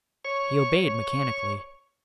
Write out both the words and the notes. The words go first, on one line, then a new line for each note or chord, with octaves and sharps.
He obeyed mechanically.
C#5 C#6